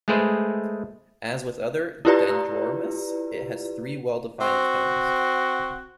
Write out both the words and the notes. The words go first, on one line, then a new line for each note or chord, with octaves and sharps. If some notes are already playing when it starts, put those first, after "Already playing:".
As with other "Dendromus", it has three well defined toes.
G#3 A3 G#4 B4 C5
E4 F4 G4 B4 D5 A#5
C4 F#4